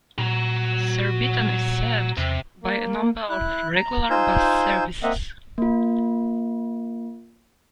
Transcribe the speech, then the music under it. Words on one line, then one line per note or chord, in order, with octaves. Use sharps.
Surbiton is served by a number of regular bus services.
A#2 F#4 A#5
E2 C3
A#3
E4 F#6
A#5
D#4 F4 C5 G#5 E6 G6
A#3 C4 D#5 E5 F#5
A#3 F4